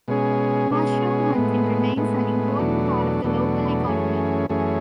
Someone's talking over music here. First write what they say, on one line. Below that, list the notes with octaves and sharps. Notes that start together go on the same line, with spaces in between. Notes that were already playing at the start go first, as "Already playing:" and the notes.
Mushroom hunting remains an important part of the local economy.
B2 G#3 C#4 G#4
B2 G#3 C#4 G#4
A2 G#3 B3
A2 G#3 B3
E2 B2 F#3 A3 D4
E2 B2 F#3 A3 D4
F#2 E3 A3 C#4 G#4
F#2 E3 A3 C#4 G#4